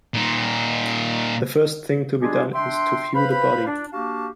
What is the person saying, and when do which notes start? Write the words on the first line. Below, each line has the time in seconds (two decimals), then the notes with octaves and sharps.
The first thing to be done is to view the body.
0.14 A#2 D#4
2.21 G3 G#3 D4 F4 G4 G#4
2.55 D4 E5 G5 C6
3.14 B4 C5 F5 B5
3.67 D4
3.93 A#3 D4 F#4 G4 F5 A5